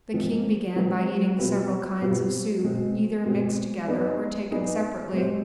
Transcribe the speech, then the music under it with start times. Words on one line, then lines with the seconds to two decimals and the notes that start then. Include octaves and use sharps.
The king began by eating several kinds of soup, either mixed together or taken separately.
0.14 F3 G#3 C4
0.76 F3 G#3 C4
1.38 B2 G3 C4 F4 B4
2.01 B2 G3 C4 F4 B4
2.63 B2 G#3 C4
3.25 B2 G#3 C4
3.88 B3 D#4 G#4 B4 D5
4.50 B3 D#4 G#4 B4 D5
5.13 G#3 C4 G4 C5